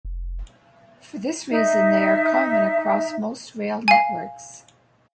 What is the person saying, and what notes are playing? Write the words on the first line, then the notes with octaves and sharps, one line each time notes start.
For this reason they are common across most rail networks.
F1
D#4 E5
F5 G#5